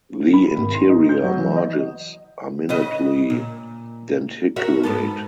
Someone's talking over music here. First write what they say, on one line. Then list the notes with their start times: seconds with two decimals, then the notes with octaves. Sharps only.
The interior margins are minutely denticulate.
0.20 D3
0.33 B5
0.57 G#1
0.74 C6
0.89 D#4
1.09 G6
1.24 F#3
1.38 E3
1.56 D#5
2.69 C#3 B4 D#5
3.30 A#2
4.56 F#4 A#4 E5
4.83 G#2 B3 A4